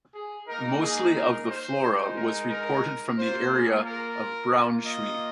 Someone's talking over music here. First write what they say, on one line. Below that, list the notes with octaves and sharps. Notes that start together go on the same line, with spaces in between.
Mostly of the flora was reported from the area of Braunschweig.
G#4
A#3 D#4 A#4
G#4
A#4
C5
G#3 D#4
A#4
A#4
A#3 F4 C5
G#4
A#4
A#3 F4
D#5